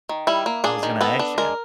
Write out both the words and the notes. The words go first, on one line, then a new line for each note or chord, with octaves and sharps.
I was gonna ask ya.
D#3
G3 E4
A#3
D4 G#4
D#3
B3 A4
D4
G#3 A#4